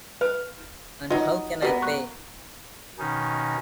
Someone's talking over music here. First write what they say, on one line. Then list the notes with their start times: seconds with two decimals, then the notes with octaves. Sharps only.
And how can I pay?
0.21 B4 F5
1.10 F#3 D#4 F4 D#5
1.62 A#3 B3 F#4 G4 D5
1.82 C#6 F#6
2.98 B2 D#3 C#4 D#4